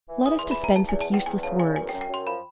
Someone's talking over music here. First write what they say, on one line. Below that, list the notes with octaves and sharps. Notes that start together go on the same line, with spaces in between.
Let us dispense with useless words.
E3
E2 D#6
E3 C6
B5
E2 A#5
E2 A5
E2 G#5
A5
E2 G5
E2 G#5
C#3 A5
E2 G#5
F#2 G#5
G5
F#2
G5
F#2 C6
F3 B5